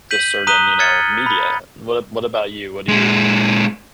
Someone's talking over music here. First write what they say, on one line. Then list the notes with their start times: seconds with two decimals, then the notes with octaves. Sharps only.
this certain, you know, media. What a what about you? What do you
0.11 G6 B6 D#7 F#7
0.47 A#5 D#6 F#6 B6 D#7 G7
0.79 F6 G#6 A6 C#7
1.26 B5
2.88 A#2 G#3